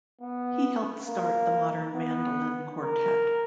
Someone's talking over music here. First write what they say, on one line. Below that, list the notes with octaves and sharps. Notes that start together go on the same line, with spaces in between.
He helped start the Modern Mandolin Quartet.
B3
A#3
B3
A#4